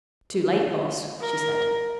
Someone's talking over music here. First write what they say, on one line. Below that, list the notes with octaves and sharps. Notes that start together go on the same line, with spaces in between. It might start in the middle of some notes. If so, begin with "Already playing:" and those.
"Too late, Boss," she said.
A#4